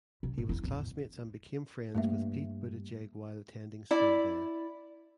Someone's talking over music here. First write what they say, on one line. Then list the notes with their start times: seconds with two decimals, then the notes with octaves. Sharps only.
He was classmates and became friends with Pete Buttigieg while attending school there.
0.23 B2
0.38 G#2 D3
0.49 E2 E4
0.63 E2 A2
1.95 G2 A3 A#3 E5
3.91 E4 D5